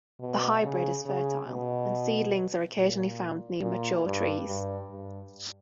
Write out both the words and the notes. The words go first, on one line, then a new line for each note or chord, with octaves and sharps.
The hybrid is fertile, and seedlings are occasionally found near mature trees.
B2
C#3
C#3
B2
A#2
A#2
G2
G2
G2